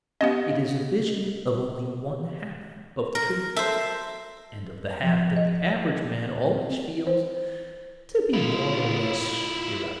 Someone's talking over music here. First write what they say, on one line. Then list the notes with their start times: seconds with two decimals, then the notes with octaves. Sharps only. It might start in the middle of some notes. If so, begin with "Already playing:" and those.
It is a vision of only one-half of the truth, and of the half that the average man always feels to be more or less irrelevant.
0.21 B3 C#4 G4 D#5 F5
3.15 A#4
3.56 A4 C5 E5
5.03 F3
5.36 D#5
7.07 C5
8.34 E4 F4